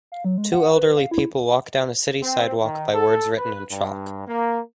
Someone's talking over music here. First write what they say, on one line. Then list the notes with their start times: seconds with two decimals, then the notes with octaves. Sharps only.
Two elderly people walk down a city sidewalk by words written in chalk.
0.12 F5
0.25 F#3
0.38 G#3
0.52 F#5
0.75 B4
0.97 F5
1.11 E4
2.22 C4
2.62 D#3
2.94 A4
3.37 B4
3.71 G2
4.28 A#3